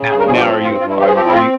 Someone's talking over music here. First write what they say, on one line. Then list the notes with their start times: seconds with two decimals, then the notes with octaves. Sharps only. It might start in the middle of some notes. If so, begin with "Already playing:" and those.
No now are you are are you
Already playing: C#3
0.10 G2 G#4
0.20 A#4
0.27 F3 G#4
0.37 G4
0.45 C4
0.63 G2 F4
0.80 G2 F4
0.90 E4
0.98 F3 G4
1.07 G#4
1.16 C4 G4
1.27 E4
1.34 F4